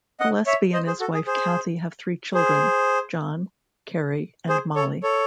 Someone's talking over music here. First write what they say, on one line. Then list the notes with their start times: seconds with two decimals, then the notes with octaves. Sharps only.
Gillespie and his wife Cathy have three children, John, Carrie, and Mollie.
0.20 D#5 F#5
0.46 C#5 E5
0.73 C5 D#5
0.87 G#4 C5
1.00 F#4 A4
1.14 G#4
1.27 G#4 C5
2.34 G#4 C5
4.49 G#4 C5
4.76 A4 C#5
5.03 A4 C#5